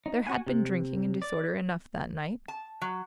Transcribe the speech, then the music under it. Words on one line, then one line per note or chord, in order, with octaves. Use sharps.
There had been drinking and disorder enough, that night....
D#4
F#4 F#5 G#5
C3
D5
A5
F#3